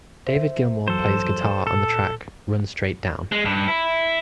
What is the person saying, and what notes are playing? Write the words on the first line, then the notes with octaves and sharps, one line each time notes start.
David Gilmour plays guitar on the track Run Straight Down.
C5 E5
F#2 E3 F#3 A4 C5
A#2 A4
G#3
G2
E4